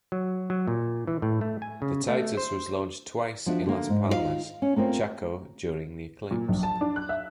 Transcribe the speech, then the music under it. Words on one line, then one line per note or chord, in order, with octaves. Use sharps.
The Titus was launched twice in Las Palmas, Chaco during the eclipse.
F#3
F#3
A#2
E3
A2
A3
G#5
C#3
A3
C5
F3 D4 F#4 E5
D3 A#3
G#2
D#4 F4 C5 F5
C#4
A3 A#3 C4 F4
A#2
A#1
A5
D4
F#6
E5